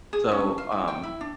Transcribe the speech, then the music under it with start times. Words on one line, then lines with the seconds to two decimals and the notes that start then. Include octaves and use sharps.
so, um,
0.13 G#4
0.32 C#4
0.58 F4
0.72 E4
0.88 G5
1.03 E4
1.21 D4